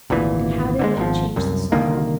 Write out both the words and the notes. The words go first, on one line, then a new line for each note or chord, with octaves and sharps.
And how did men change the soil?
G#1 D2 A#2 E3
D3 D#3 G#3
G#1 F3
C2 F#2
C2 D3 D#3 A#3